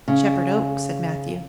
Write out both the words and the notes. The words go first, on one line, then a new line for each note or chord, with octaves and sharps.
"Shepherd Oak," said Matthew.
C#3